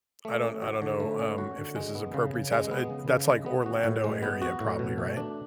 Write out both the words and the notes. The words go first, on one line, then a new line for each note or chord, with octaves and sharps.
I don't I don't know, um, if this is appropriate. Has eh, that's like Orlando area probably, right?
A3
C#4
F#4
D3
A3
C#4
F#4
D3
G#3
B3
C#3
C#3
G#3
B3
C#3
C#3
G#3
B3
F#4
A2
G#3
B3
F#4
A2
B2
A3
D4